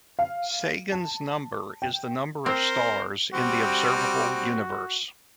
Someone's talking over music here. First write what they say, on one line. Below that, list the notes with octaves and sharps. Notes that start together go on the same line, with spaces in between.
Sagan's number is the number of stars in the observable universe.
F5
A5
G5
C4 A#4 C5
G3 C4 F#4